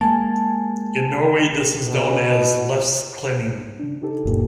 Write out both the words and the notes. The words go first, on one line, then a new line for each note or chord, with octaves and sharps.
In Norway, this is known as "lefse-klenning".
G#3 A#3 G#5 A5
B2
C#3 D4
D#4 G4 A4
F#1 A#2